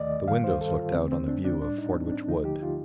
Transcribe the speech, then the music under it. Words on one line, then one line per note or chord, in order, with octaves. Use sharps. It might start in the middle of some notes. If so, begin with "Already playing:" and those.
The windows looked out on a view of Fordwitch Wood.
Already playing: D#2 D#3 A3 D5 D#5
G2 D#3 G3 F5
C5
A4
F4
F2 D3 A3 C4
C4
D4
D4
A2 G3 D4
D#4
C4
D4
D2 D3 F3 A3 D#4
G4
F4